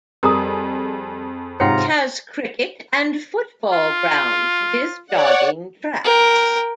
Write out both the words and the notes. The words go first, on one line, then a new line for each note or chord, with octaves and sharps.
It has cricket and football grounds with jogging tracks.
F2 G3 G#4 A#4 A#5 D#6
G#2 C3 F4 C#5 F#5 G5 A#5 C#7
F4
C#5 D5 F#5
A#4 G5